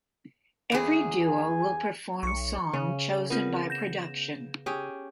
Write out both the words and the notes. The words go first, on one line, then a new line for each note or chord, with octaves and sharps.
Every duo will perform song chosen by production.
E2 G#4
G#5
B1 C#6 C#7
C#3 C#4
B3 C4 F4 A#4
G6 A#6 E7
C#4 G4 G#4